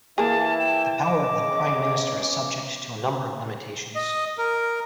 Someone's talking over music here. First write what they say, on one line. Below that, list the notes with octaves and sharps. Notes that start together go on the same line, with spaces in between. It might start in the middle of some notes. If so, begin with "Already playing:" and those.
The power of the prime minister is subject to a number of limitations.
E3 A#3 E4 G#4 F5 A5
G5 E7
D#5 D6
C#3 B3
D#5
A#4